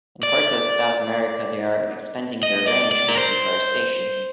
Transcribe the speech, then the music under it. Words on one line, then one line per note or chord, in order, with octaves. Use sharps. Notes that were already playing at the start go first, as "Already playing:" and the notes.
In parts of South America, they are expanding their range with deforestation.
D5
D#5
D5
D5
A#4
C5